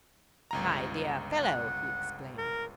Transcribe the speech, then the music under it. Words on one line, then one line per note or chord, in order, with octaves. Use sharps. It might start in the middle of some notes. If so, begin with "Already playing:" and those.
"My dear fellow!" he exclaimed.
G1 C#2 A#5
F#5
A#4